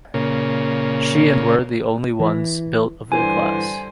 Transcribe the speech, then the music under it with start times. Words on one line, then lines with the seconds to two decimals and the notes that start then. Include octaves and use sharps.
She and were the only ones built of their class.
0.14 A#2 C#3
2.20 E3
3.12 G2 D3 E3 C5 G#5